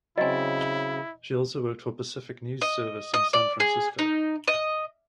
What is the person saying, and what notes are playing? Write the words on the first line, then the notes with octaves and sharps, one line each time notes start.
She also worked for Pacific News Service in San Francisco.
C#3 F#3 C4 E4 D#5 G#5
D#5
D#5
D5
G#4
D#4
D#5